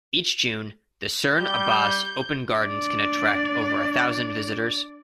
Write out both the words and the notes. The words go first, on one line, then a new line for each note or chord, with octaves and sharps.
Each June, the Cerne Abbas Open Gardens can attract over a thousand visitors.
G3 G6
D4 D5